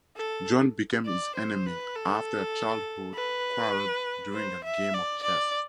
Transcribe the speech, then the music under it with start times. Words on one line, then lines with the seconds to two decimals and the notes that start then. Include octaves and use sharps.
John became his enemy after a childhood quarrel during a game of chess.
0.17 A4
1.05 D5
1.35 C5
1.66 B4
1.95 A4
3.14 B4
4.33 C5
4.64 E5
4.94 D5
5.23 D5